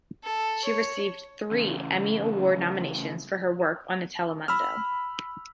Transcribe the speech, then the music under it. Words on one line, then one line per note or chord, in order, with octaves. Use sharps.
She received three Emmy Award nominations for her work at Telemundo.
A4
C#5
E2 C#3
B5 E6 F6